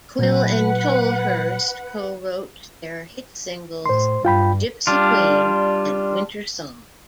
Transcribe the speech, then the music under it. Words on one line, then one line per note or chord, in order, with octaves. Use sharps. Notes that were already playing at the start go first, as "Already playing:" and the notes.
Quill and Tolhurst co-wrote their hit singles "Gypsy Queen" and "Wintersong".
A#2 F#3 B4 F#5
A2 C5 C6
G2 F4 G5 B5
G3 D4 F4